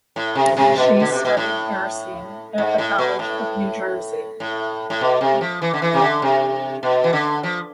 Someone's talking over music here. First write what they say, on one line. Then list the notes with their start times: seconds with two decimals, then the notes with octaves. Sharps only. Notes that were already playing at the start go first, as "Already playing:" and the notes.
She studied nursing at The College of New Jersey.
0.16 A2
0.35 C3
0.57 C3
0.76 B2
1.00 D3
1.12 C3
1.25 B2
1.37 A2
2.58 G#2
2.78 A2
2.99 B2
3.19 A2
4.40 A2
4.90 A2
5.01 B2
5.21 C3
5.41 F3
5.62 E3
5.73 D3
5.82 E3
5.94 C3
6.02 D3
6.22 C3
6.83 B2
7.04 E3
7.13 D3
7.43 F3